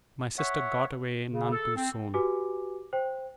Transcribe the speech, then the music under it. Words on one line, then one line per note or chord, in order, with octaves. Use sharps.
My sister got away none too soon.
C#5 E5 F#5
C#3
A4
C4
F#4 G4 B4 G#5 D6
C5 G5